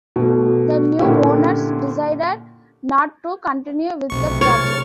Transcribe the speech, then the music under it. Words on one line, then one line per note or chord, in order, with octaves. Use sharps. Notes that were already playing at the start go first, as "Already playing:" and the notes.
The new owners decided not to continue with the project.
B2 A3
A#2 D3 C#4 E4 G4
B1 C3 A3 C4 C#6
C#5 C#6 F6 A6